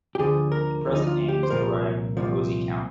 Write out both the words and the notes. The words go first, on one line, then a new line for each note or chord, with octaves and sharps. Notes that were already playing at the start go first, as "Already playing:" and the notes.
The present name is derived from Posey County.
G4
D2 D3 F3 G#4
A#4
D2 D3 F3
D#4
F4
G4
C5
C2 A#2 F3 A#4
C2 A#2 F3